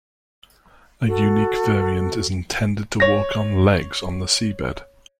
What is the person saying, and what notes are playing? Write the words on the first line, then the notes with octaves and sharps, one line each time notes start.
A unique variant is intended to walk on legs on the seabed.
F#4 A4
C#5 A#6